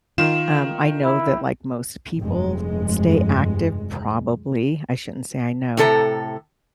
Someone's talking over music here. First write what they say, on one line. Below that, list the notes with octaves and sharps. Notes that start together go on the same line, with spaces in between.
Um, I know that, like, most people stay active, probably, I shouldn't say I know,
D#3 F4 E7
E4
F1 G2 G#3
A2 C3 A4 C#5 A#5